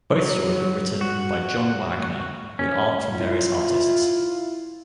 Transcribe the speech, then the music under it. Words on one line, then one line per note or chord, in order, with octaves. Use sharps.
Both stories were written by John Wagner with art from various artists.
F#3
F#4
C#4
E4 F4